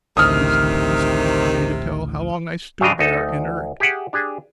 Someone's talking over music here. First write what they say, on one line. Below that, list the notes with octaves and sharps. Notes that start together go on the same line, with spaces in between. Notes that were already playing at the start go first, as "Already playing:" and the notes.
It is impossible for me to tell how long I stood there inert.
A1 D2 C3 D#3 D#6 F6
G2 C#3 G3 D4 D#5 F5
D2 D#4 A4
G4 G#4 E5 F#5
D4 G4 G#4